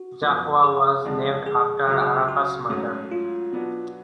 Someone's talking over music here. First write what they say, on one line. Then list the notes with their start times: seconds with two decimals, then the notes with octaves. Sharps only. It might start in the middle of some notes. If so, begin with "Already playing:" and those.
Zahwa was named after Arafat's mother.
Already playing: F#4
0.22 F#2 F3 B3
0.64 G#4
1.05 F2 D3 G#3 D4
1.46 G#4
1.87 C#2 C#3 F#3
2.28 F#4
2.70 G#2 F#3 A3 C#4
3.12 F4
3.52 B2 F#3 B3 D4